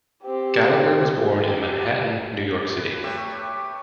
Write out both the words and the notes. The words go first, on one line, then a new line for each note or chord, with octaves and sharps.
Gallagher was born in Manhattan, New York City.
C4 G4
G4
B4
A3 G4 C#5 E5